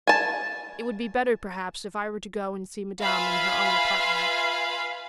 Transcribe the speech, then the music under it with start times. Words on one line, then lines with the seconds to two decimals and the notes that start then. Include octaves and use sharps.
"It would be better, perhaps, if I were to go and see Madame in her own apartment."
0.07 G#5 A5
3.02 F4 B4 E5 F5 G#5 B5